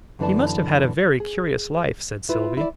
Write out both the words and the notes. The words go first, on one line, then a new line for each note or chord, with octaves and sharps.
"He must have had a very curious life," said Sylvie.
F#2 D3 E3 B3 D5 A5
G#4
E4 F4 B4
E4 D5